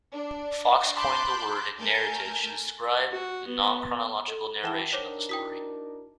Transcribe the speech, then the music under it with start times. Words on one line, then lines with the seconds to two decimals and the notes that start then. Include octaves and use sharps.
Fox coined the word "narratage" to describe the non-chronological narration of the story.
0.12 D4
0.94 A5 B5 C6 D6 F#6 G6
1.79 A3 A#4 G#5 A5 G6
3.11 F#4
3.48 B3
4.28 A4
4.64 E3 B4 F#5 G5 A5 E7 G7
4.93 D4 D#4 A#4 C5 C#5 D6
5.29 E4 F#4 G5 D#6 B6